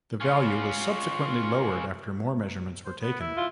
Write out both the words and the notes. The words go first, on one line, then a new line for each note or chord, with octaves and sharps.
The value was subsequently lowered after more measurements were taken.
C#4 F4
C5
B3
E4
F4